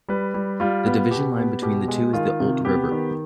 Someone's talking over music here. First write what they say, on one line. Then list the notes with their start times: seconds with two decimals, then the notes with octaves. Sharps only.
The division line between the two is the Olt River.
0.09 G3 B4
0.34 G3
0.60 G3 F4
0.86 B3
1.11 B2 G4
1.37 B3
1.62 B2 G4
1.88 G#3
2.13 D#3 F4
2.40 C3
2.65 B3 G4
2.91 D#3